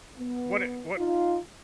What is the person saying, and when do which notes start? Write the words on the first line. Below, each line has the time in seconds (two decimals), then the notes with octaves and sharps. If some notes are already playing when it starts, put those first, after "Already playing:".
what it what
0.17 B3
0.97 D#4 F4